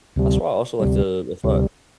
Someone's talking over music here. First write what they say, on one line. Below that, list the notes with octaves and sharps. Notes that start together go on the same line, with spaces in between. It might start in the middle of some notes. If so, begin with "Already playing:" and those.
That's why I also like to to fi
D2 C3 G3
D2 C3 G3
D2 C3 G3